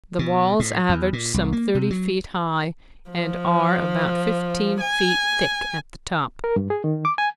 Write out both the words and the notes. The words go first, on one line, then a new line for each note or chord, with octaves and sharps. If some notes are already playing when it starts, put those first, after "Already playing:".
The walls average some thirty feet high and are about fifteen feet thick at the top.
B2
A2
E2
A#2
C2
A#3
C3
F#3
F3
G#5
A#4
G2
G#4
D#3
D6
G#5